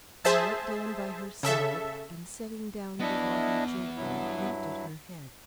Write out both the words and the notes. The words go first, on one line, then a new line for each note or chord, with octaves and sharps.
I knelt down by her side, and setting down the water gently lifted her head.
G#4 C5 E5 A5
C#3 A4 E5
B3 D4 E4 D#5 E5
G2 F#3 E4